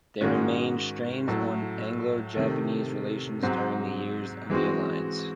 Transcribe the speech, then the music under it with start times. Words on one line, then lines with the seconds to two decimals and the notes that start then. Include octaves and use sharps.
There remained strains on Anglo-Japanese relations during the years of the alliance.
0.21 G#2 D#3 G#3 C#4 F#4
1.28 A2 F#3 A3
2.35 C3 D#3 A3
3.43 G#2 F#3 C4
4.50 E3 G#3 C4 F#4